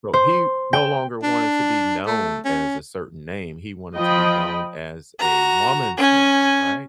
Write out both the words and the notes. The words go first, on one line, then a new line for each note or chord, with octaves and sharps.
Well, he no longer wanted to be known as a certain name. He wanted to be known as a woman's name, right?
C5
G5
D4
A3
C#4
F3 D#5 G5 B5
F#4 A#5
C#4 G#5